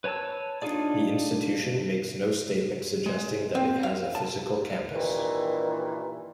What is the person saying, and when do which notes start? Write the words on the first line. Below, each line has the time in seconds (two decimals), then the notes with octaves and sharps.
The institution makes no statement suggesting that it has a physical campus.
0.04 B4 C#5 G#5 A5 E6
0.62 D4 D#4 F4 G#4 D5
3.06 G#3
3.55 C4
3.83 F5
4.15 A5
4.93 G2 A#2 D#3 E3